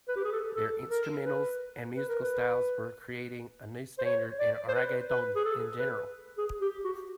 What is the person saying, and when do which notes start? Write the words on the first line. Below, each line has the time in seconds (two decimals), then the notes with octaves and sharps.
Their instrumentals and musical styles were creating a new standard in reggaeton in general.
0.08 B4
0.16 G4
0.25 G#4
0.32 A4
0.56 A4
0.90 A#4
1.25 B4
1.95 B4
2.09 A#4
2.22 B4
3.99 C5
4.05 C#5
4.40 D5
4.68 C5
4.74 B4
5.10 B4
5.36 G#4
5.45 A4
5.79 B4
6.38 G#4
6.61 G4
6.84 F#4